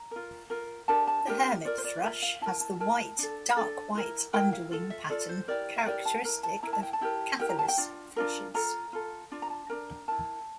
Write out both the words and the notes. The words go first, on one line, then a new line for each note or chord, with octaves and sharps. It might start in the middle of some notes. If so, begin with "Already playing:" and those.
The hermit thrush has the white-dark-white underwing pattern characteristic of "Catharus" thrushes.
Already playing: A#5
F4 A#4
F4 A#4
D4 G4 A#4 A5
A5
D4 G4 A#4 G5
F4 A#4 D5
C5
D5
F4 A#4 E5
F5
E4 A#4 A5
A5
E4 A#4 A5
D4 A4
D4 A4
E4 A#4
E4 A#4 G5
F5
F4 A4
E5
F4 A4 D5
C5
E4 G4 A#4 D5
E5
E4 G4 A#4 D5
A5
E4 A#4 A#5
A5
E4 A#4 A#5
A5
G5
A5
E4 G4 A#4
E4 G4 A#4 G5
A#5
A5
G5
D4 F4
D4 F4 A#4
F4 A4 A#5
F4 A4
D4 F4
A#5
A5
D4 F4 A#4 A#5
E4 A#4 A5